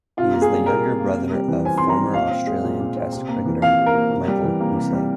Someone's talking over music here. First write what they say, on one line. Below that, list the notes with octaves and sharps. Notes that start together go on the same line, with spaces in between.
He is the younger brother of former Australian Test cricketer Michael Hussey.
C3 F4
A#3
G#4
G3
C3 A#4
C3
A#3
C3
G3
E3
C4 G#5
C3 C6
A#5
G3
A#2 F5
C4
G#3
A#2
A#2
C4
C3
A#3
E3
C3 F5
C3
A#4
A#3
C3
G3
E3
A#3
C3
G3